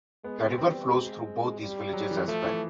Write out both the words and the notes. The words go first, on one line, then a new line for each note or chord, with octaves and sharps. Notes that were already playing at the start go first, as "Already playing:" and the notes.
The river flows through both these villages as well.
G#3 B3
C4
G3 C4
G#3
G3
F#3
E3
F3 A3
E3